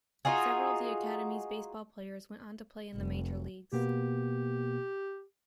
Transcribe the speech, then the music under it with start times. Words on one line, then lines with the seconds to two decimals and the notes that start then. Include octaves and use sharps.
Several of the academy's baseball players went on to play in the major leagues.
0.25 D#4 F4 F#4 G#4
2.95 F1
3.73 B2 A#3 B3 G4